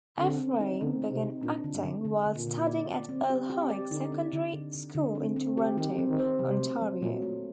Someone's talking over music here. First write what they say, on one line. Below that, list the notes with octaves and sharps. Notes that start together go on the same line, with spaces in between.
Ephraim began acting while studying at Earl Haig Secondary School in Toronto, Ontario.
D3 C4
C4
D#4
D3 C4
D#4
C3
D#4
A#2 D4
D3
G2
D3
D3
D3
A#2
D3
D5
D5
C4
G4
G4
D5
D3 D#4
D#4
D3
D3
D3
D3
C4
C4
G4
D#3 G4
C4
D#3
C5
C3 F#3
A3
F#3
A#2 F#3
A3